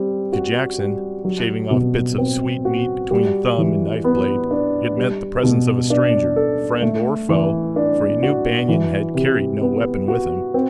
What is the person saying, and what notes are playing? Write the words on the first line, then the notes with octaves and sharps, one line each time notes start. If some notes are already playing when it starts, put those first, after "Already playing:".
To Jackson, shaving off bits of sweet meat between thumb and knife blade, it meant the presence of a stranger, friend or foe, for he knew Banion had carried no weapon with him.
Already playing: G3 C4
F#4
G3
F#3
B2
C4
F#4
G3
E3
B3
D4
G3
B2
D4
A4
A3
E3
D4
F#4
E3
C3
B3
F#4
C4